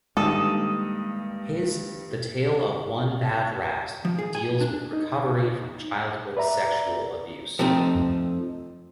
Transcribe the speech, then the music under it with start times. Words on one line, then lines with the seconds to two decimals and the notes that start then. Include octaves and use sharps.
His "The Tale of One Bad Rat" deals with recovery from childhood sexual abuse.
0.17 G2 D#3 G#3 A#3 A4 D#6
4.05 F3
4.18 G#4
4.35 G#5
4.61 D4
4.93 D#4
6.37 B4 D5 E5 A#5
7.59 F3 A3 C4 D#4